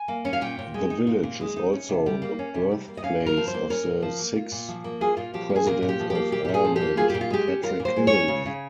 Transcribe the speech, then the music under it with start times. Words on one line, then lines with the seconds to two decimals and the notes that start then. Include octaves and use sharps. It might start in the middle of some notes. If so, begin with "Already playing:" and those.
The village is also the birthplace of the sixth President of Ireland, Patrick Hillery.
Already playing: G#5
0.08 A#3
0.25 C#4
0.33 F5
0.41 A#2 G5
0.59 A#2
0.74 G#3
0.90 D#4
1.07 A#2
1.23 A#2
1.41 G#3
1.56 D#4
1.73 C#4
1.89 C3
2.06 G3
2.22 A#3
2.39 C#4
2.55 C3
2.71 G3
2.88 A#3
2.97 D#5
3.04 C#4 F5
3.20 A#2
3.26 A#4
3.37 F3
3.48 C5
3.54 A#3
3.70 C#4 A#4
3.86 A#2
4.02 F3
4.19 A#3
4.36 F4
4.52 A#2
4.68 F3
4.84 A#3
5.01 F4 G#4
5.17 A#2 F4
5.34 F3 G4
5.50 A#3
5.56 G#4
5.66 A#2 A#4
5.83 A#2
5.89 G4
6.00 F3
6.10 G4
6.15 A#3
6.32 A#2 G4
6.45 G4
6.49 A#2
6.54 G#4
6.65 F3
6.76 G4
6.81 A#3
6.97 F4 G#4
7.10 A#2 G4
7.21 F4
7.30 G#3 G4
7.48 C#4
7.63 F4 A#4
7.80 A#2
7.85 C5
7.96 G#3
8.07 C#5
8.13 C#4
8.28 C#3
8.46 C#3